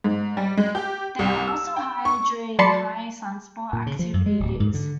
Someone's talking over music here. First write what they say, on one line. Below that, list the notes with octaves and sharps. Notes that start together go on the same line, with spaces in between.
They are also higher during high sunspot activity years.
G#2
G3
G#3
G4
C2
E6
G5
C#6
F#3 D5 A5 B5 C6 C#7
A#2
C#3
F3
F#2
G#3
D1
G#2
D3